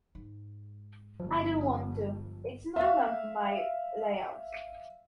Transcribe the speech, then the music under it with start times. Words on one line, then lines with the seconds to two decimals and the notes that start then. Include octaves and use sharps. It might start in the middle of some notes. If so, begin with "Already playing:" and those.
I don't want to. It's none of my lay-out.
0.15 G#2
1.20 G1 F3
2.76 E5 F5